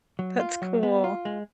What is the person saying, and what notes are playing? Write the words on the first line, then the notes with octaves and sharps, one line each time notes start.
That's cool.
F#3
F4
F#3
B3
F4
G#3